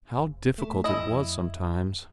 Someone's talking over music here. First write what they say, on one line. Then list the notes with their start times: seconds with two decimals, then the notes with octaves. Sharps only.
How difficult it was sometimes.
0.18 F1
0.58 A3
0.84 E4 D#5
1.00 F2